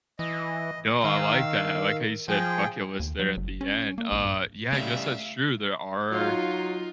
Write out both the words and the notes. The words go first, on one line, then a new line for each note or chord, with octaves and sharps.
No, I like that, I like how you said "bucket list" there at the end. Uh, yeah, I guess that's true, there are
E3 D#5
D#3 F5 E6
F3 G#4 G5
D#2
F#3
F#1
C#4
A#3
A#1
G2
C#3 G3 A3 C#4 E5 F5
F#3 D#4 F4